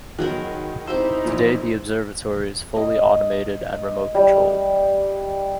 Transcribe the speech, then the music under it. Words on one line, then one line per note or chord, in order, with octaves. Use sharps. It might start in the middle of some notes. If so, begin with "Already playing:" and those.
Today the observatory is fully automated and remote controlled.
D#3 F#3 G#3 B3 A#4
C4 D#4 E4 G4 C5 E6
E2 A#2 F3
D#5
G3